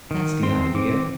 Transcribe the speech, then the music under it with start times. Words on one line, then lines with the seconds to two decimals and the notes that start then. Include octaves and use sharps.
"That's the idea!"
0.11 D#3
0.43 C4 C6
0.74 C4 D6